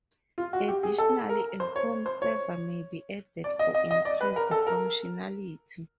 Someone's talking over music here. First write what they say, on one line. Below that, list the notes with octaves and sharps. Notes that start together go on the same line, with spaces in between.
Additionally, a home server may be added for increased functionality.
F4
F#4
G4
G#4
A4
A#4
C5
C#5
C5
C#5
D5
D#5
D#5
D#5
D5
B4
A#4
A4
A#4